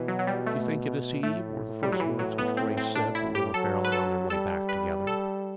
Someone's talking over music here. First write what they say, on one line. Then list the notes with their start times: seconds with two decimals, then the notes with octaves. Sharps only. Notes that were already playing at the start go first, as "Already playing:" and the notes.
"Do you think it is he?" were the first words which Grace said when they were fairly on their way back together.
Already playing: B2 E3
0.08 F#3
0.19 F#3
0.27 G3
0.46 A3
1.23 A2 A3
1.83 G3
1.92 F#3
2.00 A2 E3
2.19 F#3
2.38 B3
2.57 C4
2.77 C4
2.95 D4
3.15 E4
3.35 G4
3.54 F#3 A4
3.84 B4
3.92 A4
4.30 G3 A4
4.69 B4
5.07 A4